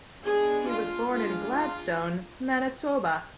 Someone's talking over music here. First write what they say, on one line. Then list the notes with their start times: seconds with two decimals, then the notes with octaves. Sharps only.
He was born in Gladstone, Manitoba.
0.24 G#3 B3 D4 G#4
0.67 F4
1.10 G#3 D4 F4
1.54 F4